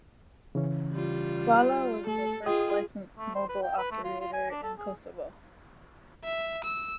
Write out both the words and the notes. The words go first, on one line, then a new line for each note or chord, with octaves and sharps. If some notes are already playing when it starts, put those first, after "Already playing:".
Vala was the first licensed mobile operator in Kosovo.
C#3 E3 C#4
G3 F4
A3 A4
F4 G#4 D#5 G5 D#6
A3
C5
B4
G5
B4
A3
F4
F4
G#5
D4
A4
G#4
E5
E6